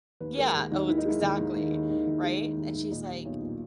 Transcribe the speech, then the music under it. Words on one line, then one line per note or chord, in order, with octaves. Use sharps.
Yeah, oh, it's exactly, right? And she's, like
D#2 B4
G#3 A#4
D#2 G#4
D#2 D#4
D#3 E4
D#4
G#3 E4
D#2
D#2
D#3
D#2
D#3
D#2
G#3
D#3
D#2
D#2
A#2 D#4
G3
B1
A#2